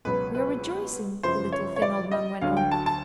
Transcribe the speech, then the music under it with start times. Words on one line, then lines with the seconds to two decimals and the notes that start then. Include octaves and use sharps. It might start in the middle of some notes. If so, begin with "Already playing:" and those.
"We are rejoicing," the little, thin old man went on.
0.05 C#2 B2 F#3 B4
0.35 B4
1.23 G1 F#2 C#3 F3 C5
1.52 C#5
1.76 C#5
1.82 D5
2.11 D#5
2.41 D2 D3 F#3 F5
2.57 G5
2.71 A5
2.86 A5